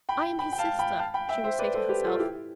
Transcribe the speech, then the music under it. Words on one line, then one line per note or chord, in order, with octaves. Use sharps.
"I am his sister," she would say to herself.
G5 B5
G5 B5
G5
F5 A5
G5 B5
F5 A5
G5 B5
E5 G5
C5 E5
B4 D5
A4 C5
G4 B4
F4 A4
E4 G4